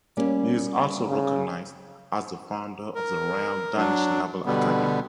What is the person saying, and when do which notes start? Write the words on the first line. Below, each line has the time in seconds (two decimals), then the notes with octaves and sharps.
He is also recognized as the founder of the Royal Danish Naval Academy.
0.17 G3 A#3 C#4
1.08 C#3
2.95 A#4
3.77 F#3 D4
4.46 B2 D3 G3 B3